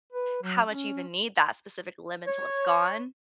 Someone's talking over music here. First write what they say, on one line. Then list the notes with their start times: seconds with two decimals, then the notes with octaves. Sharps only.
how much you even need that specific limb until it's gone,
0.13 B4
0.43 F#3
0.67 C#4
2.27 C#5